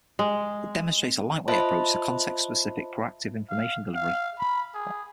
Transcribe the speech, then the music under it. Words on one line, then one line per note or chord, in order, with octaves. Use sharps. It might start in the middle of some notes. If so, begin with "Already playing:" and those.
It demonstrates a lightweight approach to context-specific proactive information delivery.
G#3
F4 C5 D#5 E5 A5 B5
F5
F5
B5
G#4